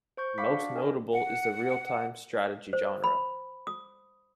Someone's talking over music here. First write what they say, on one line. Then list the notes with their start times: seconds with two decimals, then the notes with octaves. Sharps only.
Most notable is the real-time strategy genre.
0.17 C5 C#6 G6
0.38 F5 F#5 B5 C#6 D6 B6
0.50 D4 F#4 D5
0.75 F#4 A#4 D#5 G5 G#5
1.11 F#5
2.73 C5
3.04 B5
3.67 D#6